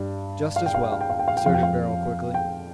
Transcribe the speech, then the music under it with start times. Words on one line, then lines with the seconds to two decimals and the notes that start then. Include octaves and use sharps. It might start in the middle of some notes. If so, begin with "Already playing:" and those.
"Just as well," asserted Beryl, quickly.
Already playing: G2 G3
0.56 F5
0.66 G5
0.75 F5
0.83 G5
0.92 F5
1.01 G5
1.10 F5
1.19 G5
1.28 F5
1.37 G5
1.46 F2 F3 F5
1.54 G5
1.63 F5
2.34 G5